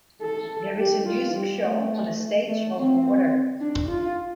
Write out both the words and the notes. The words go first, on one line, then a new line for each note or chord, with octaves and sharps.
There is a music show on a stage over water.
A4
G4
F4
G3
A3
A3
C4
D4
F4